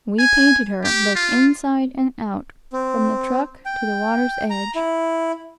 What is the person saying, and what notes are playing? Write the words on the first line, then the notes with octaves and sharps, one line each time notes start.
We painted her, both inside and out, from the truck to the water's edge.
G#5
G4
F4
C4
G5
A#5
E4